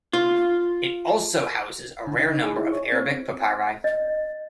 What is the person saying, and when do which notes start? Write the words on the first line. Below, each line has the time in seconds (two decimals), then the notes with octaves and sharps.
It also houses a rare number of Arabic papyri.
0.13 F4
2.07 D3
2.19 D#4
2.44 G#4
2.58 E4
2.72 C#5
2.92 C4
3.84 D#5